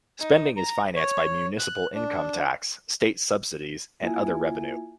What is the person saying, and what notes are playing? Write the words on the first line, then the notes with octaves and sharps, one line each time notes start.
Spending is financed by municipal income tax, state subsidies, and other revenue.
D#4
A#5
C#5
F#6
D4
A#3 E4 F4 E5 G#5